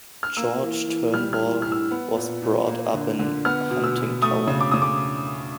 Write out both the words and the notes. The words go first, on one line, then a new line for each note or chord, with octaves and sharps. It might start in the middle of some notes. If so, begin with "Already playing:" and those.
George Turnbull was brought up in Huntingtower.
F6
A#3 E6
E3
E3
G3 F6
F6
A2
A2 F6
E6
B3
A#2
A#2
A#3
D3
D3
B3 F6
B2
E6
B2
A3 D#6
C#3
D6
C#3 D#6
D6